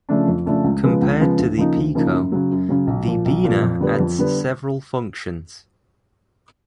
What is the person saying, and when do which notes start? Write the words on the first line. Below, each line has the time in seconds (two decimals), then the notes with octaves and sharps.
Compared to the Pico, the Beena adds several functions.
0.09 C#3 F3 A3 D4
0.28 F2
0.46 C#3 F3 A3 D4
0.64 C#2
0.83 C#3 F3 G#3 B3
1.02 C#2
1.20 C#3 F3 G#3 B3
1.38 D2
1.58 C#3 F3 A#3 D#4
1.76 D2
1.95 C#3 F3 A#3 D#4
2.13 F#2
2.32 C#3 F#3
2.51 F#2
2.69 C#3 F#3
2.87 B1
3.07 A#2 F3
3.25 B1
3.44 A#2 F3
3.63 F2
3.80 D3 G3 B3
3.99 F2
4.18 D3 G3 B3